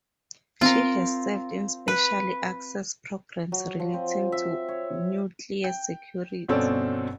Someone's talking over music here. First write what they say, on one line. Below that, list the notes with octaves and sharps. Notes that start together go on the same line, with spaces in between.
She has served in special access programs relating to nuclear security.
C4 F4 A#4
B4
F#3
F3
C4
E5
C#5
G5
G1 B2 C4 C#4 A4 D5